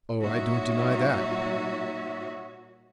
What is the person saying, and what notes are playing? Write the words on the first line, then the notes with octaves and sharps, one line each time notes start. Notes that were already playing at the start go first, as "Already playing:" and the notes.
"Oh, I don't deny that."
A#2 G3 D#4 F#4 C#5 E5